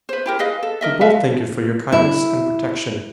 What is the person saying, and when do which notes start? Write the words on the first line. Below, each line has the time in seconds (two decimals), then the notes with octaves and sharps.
We both thank you for your kindness and protection.
0.09 B4 C5
0.26 E4 G4 A#4
0.39 G#4 B4 D#5 F5
0.63 A4
0.81 A#4 D#5 E5
1.01 A4 B4 E5 F5
1.92 E4